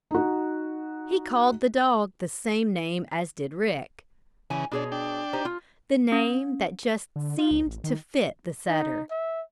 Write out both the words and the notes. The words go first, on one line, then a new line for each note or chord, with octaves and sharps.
He called the dog the same name as did Rick--the name that just seemed to fit the setter.
D#4 F#4
C#3 E3 G#5
B2 D4 G#4 C#5
D4 G5
D#4 G4 C5
F4
C#4
D3
F4
C#2
A1
D#3
D#4
E5